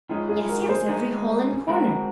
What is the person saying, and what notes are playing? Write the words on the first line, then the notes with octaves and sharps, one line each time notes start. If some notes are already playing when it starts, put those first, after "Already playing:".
"Yes, yes, every hole and corner."
D#3 G#3 C#4 D#4 F4
F4 G#4
F#4 A#4
A#4
G#4 C5
D#3 G#3 D#4
D#3 G#3 C4 F#4 A#4